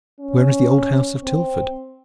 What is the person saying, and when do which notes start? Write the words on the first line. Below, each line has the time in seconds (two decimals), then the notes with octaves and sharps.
Where is the old house of Tilford?
0.20 C#4
1.24 C4